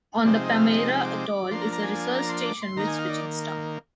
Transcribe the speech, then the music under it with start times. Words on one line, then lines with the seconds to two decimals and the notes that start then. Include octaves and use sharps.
On the Palmyra-Atoll is a research station with switching staff.
0.25 C3 F3 G#3 C4 D#4 D5
0.46 D#5
0.56 F5
0.73 D#5
0.88 G5
1.04 D6
1.51 F3 A#3 D4 C6
1.61 A#5
1.73 A#5
1.82 G#5
2.15 A#5
2.29 C6
2.46 D6
2.62 C6
2.77 D#3 A#3 D#4 A#5
2.87 G#5
2.98 F5
3.09 D5